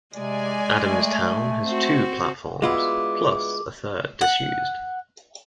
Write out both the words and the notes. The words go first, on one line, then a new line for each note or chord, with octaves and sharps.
Adamstown has two platforms plus a third disused.
C3 G#3 D5 G#5
A3
C4 F#4
D2 G#3 B3 E4 F4 D6
F#5